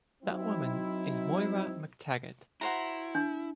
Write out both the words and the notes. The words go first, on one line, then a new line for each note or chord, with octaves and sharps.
That woman is Moira MacTaggert.
F#3 C4 D#4 E4
E4 F#4 C5 A#5
D4